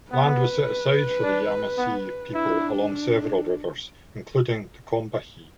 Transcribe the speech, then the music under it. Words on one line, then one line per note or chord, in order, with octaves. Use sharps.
Land was set aside for the Yemassee people along several rivers, including the Combahee.
B3 B4
D4
B3
D4 E4